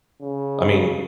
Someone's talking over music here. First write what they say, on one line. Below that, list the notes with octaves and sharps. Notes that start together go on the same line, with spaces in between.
I mean
C#3